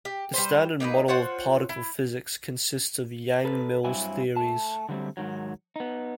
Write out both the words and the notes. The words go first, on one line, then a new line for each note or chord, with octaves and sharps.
The Standard Model of particle physics consists of Yang-Mills Theories.
G4
G3 B4 C5
A#3 D#4 G#4 B4
F4 C5 C#5 F#5
E4
A4 B4
G2 F#3 C4 E4 G#5
A3 A5
D3 F#3 G3 A3 C4
G#2 D#3 F#3
B3 D#4